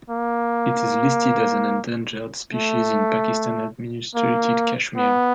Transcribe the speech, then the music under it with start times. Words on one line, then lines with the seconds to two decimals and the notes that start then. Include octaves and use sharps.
It is listed as an endangered species in Pakistan-administered Kashmir.
0.10 A#3
2.53 A3
4.15 A#3
4.97 B3